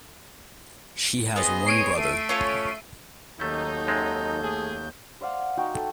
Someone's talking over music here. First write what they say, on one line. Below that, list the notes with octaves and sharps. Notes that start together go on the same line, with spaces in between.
She has one brother.
B3 C4 G#4 D#5
C#5 C7 D7 D#7
A3 A4 E5
C#4 F4 C#5
D#2 D#3 F#3 A3 C#4 D#4 A4 G6
F#2 G#3 C4
A3 G#4
C5 D5 F5 F#5
D#4 F#4 G5
A4